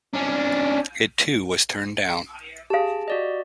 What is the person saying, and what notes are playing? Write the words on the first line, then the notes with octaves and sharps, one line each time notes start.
It too was turned down.
C#4 D4
G4 G#4 F5 A5
F#4 D5 D#5